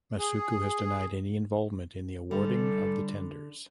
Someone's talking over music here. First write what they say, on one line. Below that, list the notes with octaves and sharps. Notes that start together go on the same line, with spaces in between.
Masuku has denied any involvement in the awarding of the tenders.
G#4
D3 G3 A4